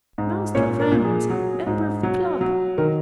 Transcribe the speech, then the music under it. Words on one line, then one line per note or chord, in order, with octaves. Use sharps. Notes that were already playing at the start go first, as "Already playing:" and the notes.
Master of hounds! member of the club!
G#2
A#2 C#4 C#5
A#4
A#2
G#4
F#3
G#2
F#3
F#3
D#3 A#4